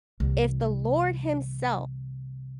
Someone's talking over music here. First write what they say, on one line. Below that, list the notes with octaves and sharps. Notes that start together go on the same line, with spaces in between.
if the Lord himself
C2 E3